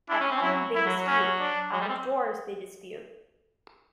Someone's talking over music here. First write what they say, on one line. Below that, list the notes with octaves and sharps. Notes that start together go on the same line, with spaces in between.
At home they dispute, out of doors they dispute.
D4 E4
C#4
C4
F#3 E4
E4
F#3
F#3
C#4
D4
F#3
G3
C4